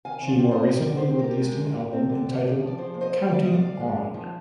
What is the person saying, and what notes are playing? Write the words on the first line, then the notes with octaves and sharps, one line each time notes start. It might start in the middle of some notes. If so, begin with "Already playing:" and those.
She more recently released an album entitled "Counting On".
D#3 F5 G#5
C3
D5 F5
C4
G3 C5 D#5
D#5
D3 A#4 D5
D2 D5
G#4 C5
C4
G4 A#4
G3
G#3
A#2
A#2
C4
D3
D2
D2
F3
D5
F3 G#4 C5
A#2
C5 D#5
A#2
G5
A#3
F5
C3 D#5
D5 F5
D2
G#3
D#3
F3